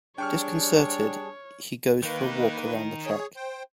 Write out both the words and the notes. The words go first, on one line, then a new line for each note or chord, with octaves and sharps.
Disconcerted, he goes for a walk around the track.
G3 D4 G#4 C#5 G5 A5 C#6 F6
D#3 A#3 D#4 B4
G#4 C#5
C5 G5